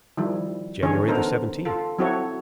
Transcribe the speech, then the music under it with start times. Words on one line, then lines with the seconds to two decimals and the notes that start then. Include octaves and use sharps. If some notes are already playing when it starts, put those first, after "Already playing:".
"January the seventeenth."
0.17 D#3 F3 G3 E4
0.83 D3 E3 C#4 G#4 C#5
1.08 B3 D#4 A4 A#4 C5
1.65 F4 A4
1.98 F#3 C4 E4 F#4 A4 C#5